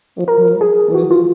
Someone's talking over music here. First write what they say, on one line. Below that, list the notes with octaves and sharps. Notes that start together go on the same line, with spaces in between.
Mhm, mhm.
A#4
G#4
F#4
F4